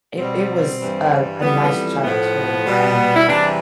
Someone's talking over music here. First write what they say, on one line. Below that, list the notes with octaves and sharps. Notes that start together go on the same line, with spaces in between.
it it was a a nice childhood, um,
B2 G3 C4
G2 E3 G3
F2 E3 G3 B3
B3
A2 F3 B3
B2 G3
E4
E2 C3 E3 G3 D4